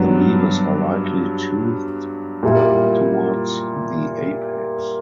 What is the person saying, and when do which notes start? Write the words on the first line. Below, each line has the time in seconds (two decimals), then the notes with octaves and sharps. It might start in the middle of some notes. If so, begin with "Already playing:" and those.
The leaves are lightly toothed towards the apex.
Already playing: G2 F#3 B3 D4
2.43 A#2 G3 A#3 E4